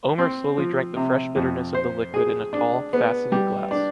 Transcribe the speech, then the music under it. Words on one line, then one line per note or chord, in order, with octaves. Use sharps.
Omer slowly drank the fresh bitterness of the liquid in a tall, faceted glass.
C4
F3
C3
F2
C5
G#4
D4
B3
G3
D4